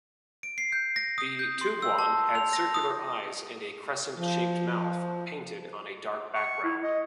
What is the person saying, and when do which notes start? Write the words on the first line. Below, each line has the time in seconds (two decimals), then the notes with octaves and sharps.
The "tubuan" had circular eyes and a crescent-shaped mouth painted on a dark background.
0.43 D7
0.58 C7
0.72 G6
0.96 A#6
1.18 D#6
1.39 G6
1.61 C6
1.82 E6
1.99 A5
2.35 F7
2.53 A#6
2.74 D#6
4.17 F3
6.34 C#6
6.64 E4
6.83 D#5